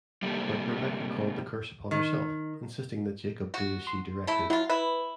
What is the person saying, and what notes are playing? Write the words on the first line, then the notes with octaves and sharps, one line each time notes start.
But Rebekah called the curse upon herself, insisting that Jacob do as she directed.
C3 G3 A3 A#3
D#3
F#4
C6
A3 E4
F#3 E4 F4
E4 B4